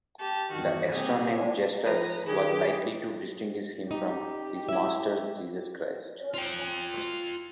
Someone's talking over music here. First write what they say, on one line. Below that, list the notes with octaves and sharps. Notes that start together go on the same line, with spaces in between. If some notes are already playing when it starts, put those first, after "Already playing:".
The extra name "Justus" was likely to distinguish him from his Master, Jesus Christ.
G4 A5
E2 G2 D#3 F#4
C3 G3 A#3 C4 G4 G#4
F3 B4 A#5
D#3 G4 G#4
D#4 G4
E4 E5
F4 G5